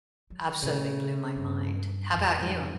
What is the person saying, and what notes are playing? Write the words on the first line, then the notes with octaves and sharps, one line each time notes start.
absolutely blew my mind, how about you?
F#3
A#2 C#3 A3
G2
F2 A#2
G#2